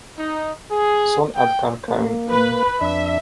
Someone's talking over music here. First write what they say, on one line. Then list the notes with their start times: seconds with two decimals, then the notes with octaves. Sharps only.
Soon Edgar came in.
0.18 D#4
0.70 G#4
1.35 G5
1.88 A#3
2.28 B4
2.81 F2 D4 E5